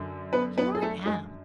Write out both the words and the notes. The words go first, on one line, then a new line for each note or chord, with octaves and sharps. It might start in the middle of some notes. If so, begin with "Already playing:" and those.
Here I am.'
Already playing: F#2 D3
B3 B4
B3 B4
G#4
A3 A4
G#3 G#4